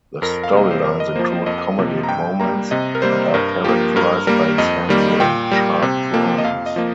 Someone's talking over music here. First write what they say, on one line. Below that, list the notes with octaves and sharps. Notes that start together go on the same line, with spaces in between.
The storylines include comedic moments and are characterised by essential and sharp drawings.
F2 A#4
F5
C3 G3 A#3 D#5
C5
F2 A#4
D#5
F3 A#3 C5
C5
F2 D#5
C3 F3 A#3
A#5
G2 G5
G3 A#3 A#5
C3 D#5
A#4
G3 A#3 C5
G2 A#4
F3 A#3 G4
G2 A#4
G3 A#3 A#4
F2 D#5
D#3 G3 A#3
A#2 G5
G3 A#3
C3
F3 A#3
D#5
F2 F5
D#5
F3 A#3